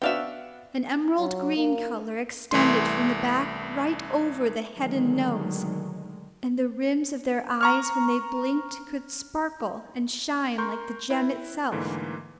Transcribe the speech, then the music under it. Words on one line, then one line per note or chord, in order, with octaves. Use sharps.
An emerald green colour extended from the back right over the head and nose; and the rims of their eyes when they blinked could sparkle and shine like the gem itself.
B3 D4 F#4 E5 F5 G5
F#3
A#3
C2 E3 A3 C6
B2 D3 D#3 F#3 G#3 A3
A#5 C#6 F6
A#4 C6 C#6 G6
E4 B4
G#2 D3 E3 A3 A#3